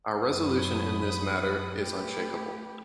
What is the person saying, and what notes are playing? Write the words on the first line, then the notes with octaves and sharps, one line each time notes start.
Our resolution in this matter is unshakable.
F#2 B5 D#6
A3 G4 B4